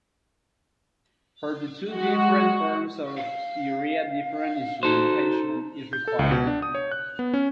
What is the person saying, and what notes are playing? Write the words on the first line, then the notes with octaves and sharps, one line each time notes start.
For the two different forms of urea, different instrumentation is required.
G#3 F#4
F5
D#4 F#4 A4 C5
G6
A4
C#2
B2
D4
D#6
C#5
F#6
B3
C#4